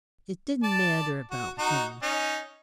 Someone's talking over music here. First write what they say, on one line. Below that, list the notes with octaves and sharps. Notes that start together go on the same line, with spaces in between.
It didn't matter about him.
D5 A5
F#4
D#4 F#4 A#5
C#4 D#4